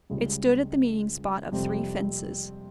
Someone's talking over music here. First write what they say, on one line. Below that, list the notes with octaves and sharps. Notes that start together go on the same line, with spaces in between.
It stood at the meeting-spot of three fences.
C#2 C#3 G3
F2 C3 G3 C4